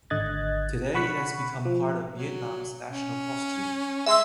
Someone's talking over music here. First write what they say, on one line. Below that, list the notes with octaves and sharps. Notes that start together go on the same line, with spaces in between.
Today, it has become part of Vietnam's national costume.
G#1 D3 D#5 F#6 G#6 A6
F#5 B5 C#6 F#6 B6
F3
F#3
C#4
G#3 E5 C6 E6